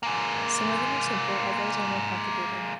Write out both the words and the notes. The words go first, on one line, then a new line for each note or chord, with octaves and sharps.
Some of them are simple, others are more complicated.
G#3 A#3